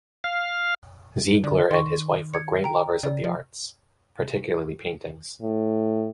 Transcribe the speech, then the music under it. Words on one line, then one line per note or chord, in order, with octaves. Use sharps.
Ziegler and his wife were great lovers of the arts, particularly paintings.
F5
D3 D5
D#3 C6 C#6
G#6 C#7
G5 A#5
C#3 D5
F3
A2